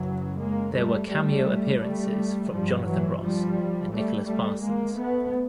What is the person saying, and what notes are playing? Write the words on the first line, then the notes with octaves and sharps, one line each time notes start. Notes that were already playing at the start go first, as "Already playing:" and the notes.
There were cameo appearances from Jonathan Ross and Nicholas Parsons.
Already playing: F#2 C#3 E3 F#3
G#3 A#3
G3 A3
G3 A3
G3 A3
G2 F3 G3
E3 F#3
F3 G3
G3 A3
G3 A3
G#3 A#3
A3 B3